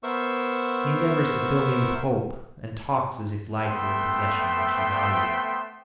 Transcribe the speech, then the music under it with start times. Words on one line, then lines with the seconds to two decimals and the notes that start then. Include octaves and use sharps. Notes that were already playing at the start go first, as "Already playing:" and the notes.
He endeavours to fill me with hope and talks as if life were a possession which he valued.
0.03 B3 A#4 C5 E5 C#6
3.63 A3 B3 C4 E5 G5 C6